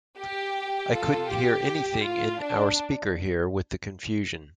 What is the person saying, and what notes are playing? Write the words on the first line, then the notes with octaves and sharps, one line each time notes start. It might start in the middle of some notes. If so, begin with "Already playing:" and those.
I couldn't hear anything in our speaker here, with the confusion.
G4
F4 A4
G4
F4
D4